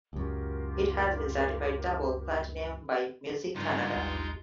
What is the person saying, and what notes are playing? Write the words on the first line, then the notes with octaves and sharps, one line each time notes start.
It has been certified Double Platinum by Music Canada.
C#2 F#2 F4 G4 A#4
G2 C#3 G#3 D#4 F4
A1 D#2 G4